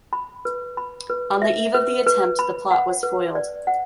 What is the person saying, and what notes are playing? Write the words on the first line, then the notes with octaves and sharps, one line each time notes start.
On the eve of the attempt, the plot was foiled.
B5
B4
B5
B4
E5
B4
B4
B5
F#5
B4
D5
F#5